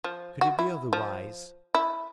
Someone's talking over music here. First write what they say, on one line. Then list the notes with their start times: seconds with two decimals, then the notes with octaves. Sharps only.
Could it be otherwise?
0.04 F3
0.41 F#4
0.59 E4
0.93 F3
1.75 E4